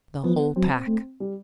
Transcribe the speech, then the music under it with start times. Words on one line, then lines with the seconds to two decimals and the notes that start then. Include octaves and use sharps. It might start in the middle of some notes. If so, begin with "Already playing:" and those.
"The whole pack."
0.23 F3 B3
0.56 F#3 C4
0.87 A3
1.20 G3